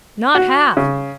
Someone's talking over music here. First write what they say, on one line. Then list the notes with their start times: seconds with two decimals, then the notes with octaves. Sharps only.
Not half.
0.35 F#4
0.77 C#3